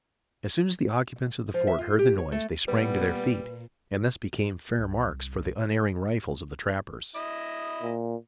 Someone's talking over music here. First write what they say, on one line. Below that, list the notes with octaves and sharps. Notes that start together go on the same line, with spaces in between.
As soon as the occupants of the fort heard the noise they sprang to their feet, and thus became fair marks for the unerring rifles of the trappers.
F3
E5
F4
G4
C#5
A3
A#2 G3 B3 B4
C2
E4 D#5
A#2